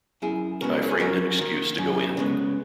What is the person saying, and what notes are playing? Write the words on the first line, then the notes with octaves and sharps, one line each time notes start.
I framed an excuse to go in.
F#2 E4 G#4
C#3 G#3 B3 F#4 A#4
G#4
F#2 F#4 A#4
D#3 A#3
F#2
C#3 G#3 B3